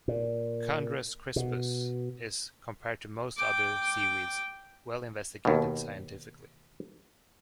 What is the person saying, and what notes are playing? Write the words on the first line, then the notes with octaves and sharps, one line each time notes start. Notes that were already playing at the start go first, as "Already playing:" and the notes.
"Chondrus crispus" is, compared to most other seaweeds, well-investigated scientifically.
A#2
B2
G5 D6
D#2 B2